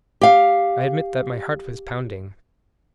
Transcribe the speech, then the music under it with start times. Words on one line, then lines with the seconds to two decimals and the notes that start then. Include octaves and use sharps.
I admit that my heart was pounding.
0.21 G4 F5